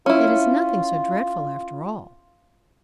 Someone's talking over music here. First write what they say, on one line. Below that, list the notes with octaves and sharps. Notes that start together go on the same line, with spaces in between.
'It is nothing so dreadful after all!
C#4 E4 F4